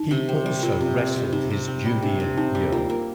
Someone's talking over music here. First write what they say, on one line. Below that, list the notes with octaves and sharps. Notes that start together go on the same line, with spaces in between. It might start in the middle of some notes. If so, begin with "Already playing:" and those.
He also wrestled his junior year.
Already playing: D#4
C3
C4
G3
C3 F4
C3
C4
G3
C3 D#4
C3
C4
G3
C3 D4
C3
C4 D#4
G3
A#3 F4
A#3